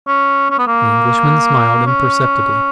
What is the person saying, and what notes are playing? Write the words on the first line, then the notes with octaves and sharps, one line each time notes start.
The Englishman smiled imperceptibly.
C#4
C#4
B3
A#3
C#4